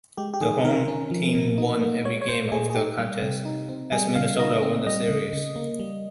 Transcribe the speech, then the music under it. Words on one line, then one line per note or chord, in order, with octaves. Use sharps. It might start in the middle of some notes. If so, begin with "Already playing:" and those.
The home team won every game of the contest, as Minnesota won the series.
G#3 G4
G4
D#3 G#4
D#3 A#4
C#4
F3
A#2
D#4
A#3
G#3 C#5
C#5
A#2 C5
A#2 G#4
G#4
D#4 G4
G3
C3
D#4
C4
G3 G#4
C#3 F5
D#4 D#5
C4
G3 D#5
C#3
C#3
A#3
G3